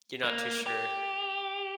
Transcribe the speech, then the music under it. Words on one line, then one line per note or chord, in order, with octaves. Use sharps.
You're not too sure.
A#3
G4